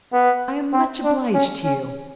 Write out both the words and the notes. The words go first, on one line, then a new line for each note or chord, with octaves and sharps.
I am much obliged to you.
B3
C4
D4
C#4
C#4